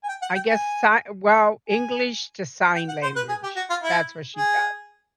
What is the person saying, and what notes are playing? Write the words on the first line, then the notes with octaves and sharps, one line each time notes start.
I guess, si well, English to sign language, that's what she does.
G#5
G5
F#5
G5
G#5
G#5
G5
F#5
C5
B4
G#4
G4
F#4
F4
E4
G#4